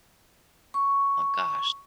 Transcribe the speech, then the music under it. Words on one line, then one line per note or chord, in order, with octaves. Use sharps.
Oh gosh.
C#6